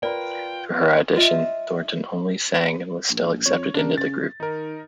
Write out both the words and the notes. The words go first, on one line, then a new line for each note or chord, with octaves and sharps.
For her audition, Thornton only sang and was still accepted into the group.
F4 A#4 B4 D5 G5
F4 D#5 E5
A#1
F2 C#5
C#3 D4 A#4
A6
D#3 D#4 A#4